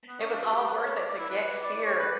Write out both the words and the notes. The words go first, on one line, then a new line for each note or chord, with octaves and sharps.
It was all worth it to get here.
B3
C#4
D4
F#4
G4
B4
D5
C#5
D5
D5
E4
B4
B4
D5
D5
C#5
B4